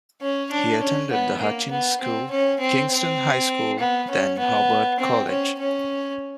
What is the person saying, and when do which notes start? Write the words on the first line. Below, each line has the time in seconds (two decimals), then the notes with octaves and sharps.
He attended the Hutchins School, Kingston High School, then Hobart College.
0.21 C#4
0.51 D4
0.81 C#4
1.11 B3
1.41 A#3
1.71 B3
2.01 C4
2.31 C#4
2.60 C4
2.90 C4
3.79 B3
4.10 C#4
4.39 B3
4.99 C4
5.29 C#4
5.59 C#4